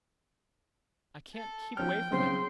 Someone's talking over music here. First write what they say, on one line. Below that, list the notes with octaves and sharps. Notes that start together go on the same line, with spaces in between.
'I can't keep away from it.
A4
F3 C#4 G5 F6
B1 C#3 C4 C5 C6